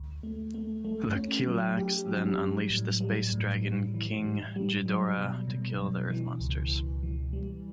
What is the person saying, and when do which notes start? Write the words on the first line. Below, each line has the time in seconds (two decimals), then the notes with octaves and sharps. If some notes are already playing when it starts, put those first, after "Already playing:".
The Kilaaks then unleash the space dragon King Ghidorah to kill the Earth monsters.
Already playing: D2
0.23 A3
0.54 A3
0.85 A3
1.15 C#4
1.47 F#3
1.77 G4
2.08 F#3
2.39 G3
2.70 A2
3.01 G3
3.32 A2
3.62 G3
3.94 E3
4.24 G3
4.56 G3
4.86 F#3
5.18 B2
5.48 B2
5.78 B2
6.10 E3
6.40 C#2
6.72 C#2
7.03 E3
7.33 G3